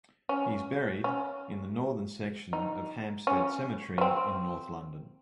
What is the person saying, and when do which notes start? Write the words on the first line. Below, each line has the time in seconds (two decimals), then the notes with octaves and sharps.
He is buried in the northern section of Hampstead Cemetery in north London.
0.29 C#4
1.04 C#4
2.53 D#4
3.27 C#4
3.98 C#4
4.01 C4